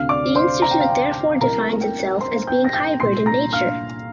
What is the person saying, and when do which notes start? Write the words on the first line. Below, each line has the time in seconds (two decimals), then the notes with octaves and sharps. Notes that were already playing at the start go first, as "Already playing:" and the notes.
The institute therefore defines itself as being hybrid in nature.
Already playing: D2 C3 F5 F6
0.09 D5 D6
0.35 C5 C6
0.62 A#5
0.71 G5
0.80 F5
0.90 G5
1.41 C2 C3 A#4 A#5
1.81 G5
2.21 C5 C6
2.47 G5 G6
2.65 A#6
2.73 G5 G6
3.00 C2 A#2 C6 C7
3.26 A#5 A#6
3.53 F5 F6